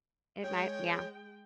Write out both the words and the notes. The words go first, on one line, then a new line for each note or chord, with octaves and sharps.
It might Yeah.
G#3 C#5 G5